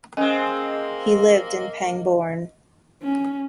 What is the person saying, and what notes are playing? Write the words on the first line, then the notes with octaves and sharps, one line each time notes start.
He lived in Pangbourne.
G#3 A#3 C4 C#4 D#5 G#5
C#4